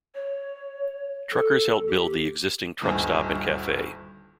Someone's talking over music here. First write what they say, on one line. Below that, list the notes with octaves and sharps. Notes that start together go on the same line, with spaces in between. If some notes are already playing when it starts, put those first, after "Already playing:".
Truckers helped build the existing truck stop and cafe.
C#5
A4
G4
D#1 D2 G2 D#3 G#5